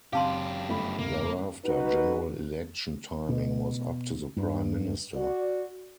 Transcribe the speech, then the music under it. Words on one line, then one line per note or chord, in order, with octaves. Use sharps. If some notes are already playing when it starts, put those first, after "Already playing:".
Thereafter, general election timing was up to the Prime Minister.
F#1 F#2 C#3 C4 G4 F5 A5 C6
G1 A3 B5
F#1 C3 A#3
D#4 F#4 B4
B2
G2
F#4 D5